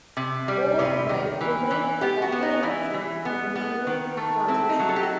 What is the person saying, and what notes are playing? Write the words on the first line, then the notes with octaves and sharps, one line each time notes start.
Overdrive remained a popular option for the manual transmission.
C3
G3
C3 B4
D#3
E3
E3
B3 G4
F#4
B3
D#4
E3 E4
E3
B3
B3
D#3
A3
C4 E4
D#4
F#3
A4
G4
F#4